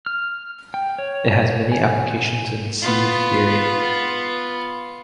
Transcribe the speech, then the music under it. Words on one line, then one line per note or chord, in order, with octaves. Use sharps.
It has many applications in sieve theory.
F6
G5
C#5
G#5
B3 F4